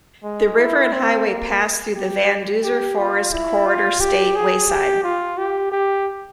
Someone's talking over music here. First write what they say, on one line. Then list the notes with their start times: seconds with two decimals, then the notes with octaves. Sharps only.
The river and highway pass through the Van Duzer Forest Corridor State Wayside.
0.23 G#3
0.58 E4
0.93 C4
1.27 A#3
1.96 G4
2.63 G4
2.99 F4
3.33 E4
3.66 F4
4.00 G4
4.36 G#4
4.70 G4
5.03 F4
5.38 G4
5.71 G4